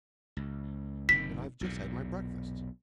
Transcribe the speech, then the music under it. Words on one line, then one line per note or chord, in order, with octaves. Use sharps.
And I've just had my breakfast.
C#2
F#1 C3 D#3 B6
B1 E2 A#2